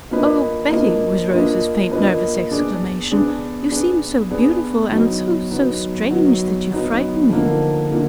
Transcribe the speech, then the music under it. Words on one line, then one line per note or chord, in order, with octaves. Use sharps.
"Oh, Betty!" was Rosy's faint nervous exclamation, "you seem so beautiful and--so--so strange--that you frighten me."
A#3 D4 F4 B4 D#5
A#3 D4 F4 B4 D#5
A#3 D4 F4 B4 D#5
A#3 D4 F4 B4 D#5
B3 D4 G#4 D5
B3 D4 G#4 D5
B3 D4 G#4 D5
B3 D4 G#4 D5
F#3 B3 D#4
F#3 B3 D#4
F#3 B3 D#4
F#3 B3 D#4
D3 F3 A#3 D#4
D3 F3 A#3 D#4